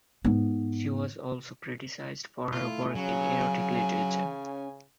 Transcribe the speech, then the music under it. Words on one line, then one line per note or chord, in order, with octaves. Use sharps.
She was also criticized for her work in erotic literature.
G#2 B3
A3 E4 F4
C#3 F#3 C#4 G#5